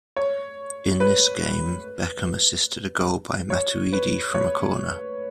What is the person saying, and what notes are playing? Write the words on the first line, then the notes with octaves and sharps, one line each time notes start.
In this game, Beckham assisted a goal by Matuidi from a corner.
C#5
B4
C#5
B4
C#5